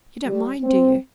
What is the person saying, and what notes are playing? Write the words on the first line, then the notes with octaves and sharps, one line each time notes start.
You don't mind, do you?
G3
C4